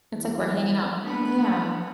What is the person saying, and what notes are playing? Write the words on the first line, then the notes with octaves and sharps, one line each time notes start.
It's like we're hanging out, yeah.
E2
A#3 B3 D4 B5